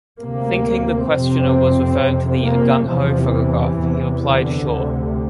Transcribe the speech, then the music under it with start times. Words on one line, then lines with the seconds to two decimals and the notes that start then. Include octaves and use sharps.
Thinking the questioner was referring to the 'gung-ho' photograph, he replied Sure.
0.22 D2 C3 A#3
1.11 F2 C3 C4
2.00 F2 C3
2.44 A#3
2.88 E2 C3 F3
3.33 E3
3.78 E2 C3
4.21 D3
4.66 D2 C3